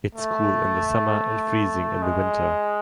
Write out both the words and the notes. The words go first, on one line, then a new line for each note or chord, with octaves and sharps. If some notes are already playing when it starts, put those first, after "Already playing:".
It is cool in the summer and freezing in the winter.
A3
G#3